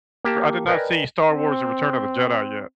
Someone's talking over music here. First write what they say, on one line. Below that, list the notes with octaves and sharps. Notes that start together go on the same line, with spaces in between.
R I did not see Star Wars and Return of the Jedi yet,
A#3 G4 A5
A#4 B4 D5 D#5 G5 G#5
C4